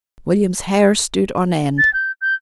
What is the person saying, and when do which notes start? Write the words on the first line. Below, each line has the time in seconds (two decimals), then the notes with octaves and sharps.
William's hair stood on end.
1.78 A6
1.94 G6
2.21 G6